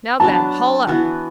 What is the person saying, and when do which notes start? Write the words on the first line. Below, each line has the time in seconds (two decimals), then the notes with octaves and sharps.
Now, then, haul up.
0.20 F#3 B3 D4 A5
0.87 E3 B3 F#4